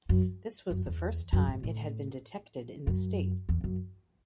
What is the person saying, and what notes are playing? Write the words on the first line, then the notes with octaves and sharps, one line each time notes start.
This was the first time it had been detected in the state.
F#2
F#2
E2
F#2
G#2
A2
F#2
E2
F#2